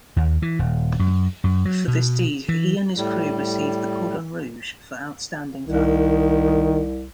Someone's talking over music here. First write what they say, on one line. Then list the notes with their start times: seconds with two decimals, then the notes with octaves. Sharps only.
For this deed he and his crew received the 'Cordon Rouge' for outstanding valour.
0.16 D#2
0.42 E3
0.59 D#1
0.99 F#2
1.44 F#2
1.65 F#3
1.88 B2
2.49 E3
2.97 A2 G3
5.67 C2 D#3